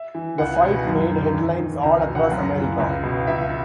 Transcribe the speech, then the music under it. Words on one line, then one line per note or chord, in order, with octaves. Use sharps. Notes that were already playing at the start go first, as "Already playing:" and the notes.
The fight made headlines all across America.
Already playing: E5
E3
C#2 F#5
G#5
B2
F#2
D#3
E2
D#3
C#2 A#5
G#5
B2
F#5
F#2
C#3 E3
C#2
B2
C#2 E5